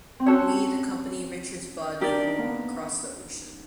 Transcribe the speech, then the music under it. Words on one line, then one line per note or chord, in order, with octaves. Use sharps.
Mead accompanied Richards's body home across the ocean.
C4
C#4 F#4 A4 C#5
D4 G4 A#4 D5
D#4
A#3
B3